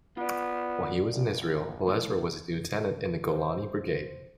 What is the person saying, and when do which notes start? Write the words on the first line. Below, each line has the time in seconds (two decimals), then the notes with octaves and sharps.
While he was in Israel, Elezra was a lieutenant in the Golani Brigade.
0.17 B3 F4 D5
1.10 A#1
1.87 F3 A3 E4
3.31 C5